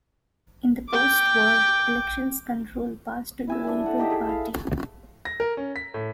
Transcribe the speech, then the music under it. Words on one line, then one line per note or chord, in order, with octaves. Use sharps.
In post-war elections control passed to the Labour Party.
G5 D6
E4 G#5 E6
D4 G#5
A4 F#5
D#4 G4 D#5 E5
G#4 A4
E4 F5
A#6
A#4
C#4
B6
A2